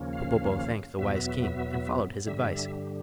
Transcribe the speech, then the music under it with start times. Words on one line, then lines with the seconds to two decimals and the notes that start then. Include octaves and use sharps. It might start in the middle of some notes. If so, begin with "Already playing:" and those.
Popopo thanked the wise king and followed his advice.
Already playing: D#2 C#3 F3 A#3 C#4
0.13 F5
0.99 E2 B2 F#3 B3 E5
2.27 G2 D3 G3 E5